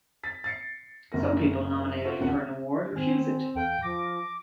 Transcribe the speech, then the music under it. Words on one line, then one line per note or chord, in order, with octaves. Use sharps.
Some people nominated for an award refuse it.
A6 B6
A6 C7 C#7
F#1 B2 A#4 A#6
F4 F#4 A4 B4 C5 E5
D#1 C#3 C#4 A#4 F#5
D#3 C4 G#5
E2 A4 F5 G5
F3 D6 A#6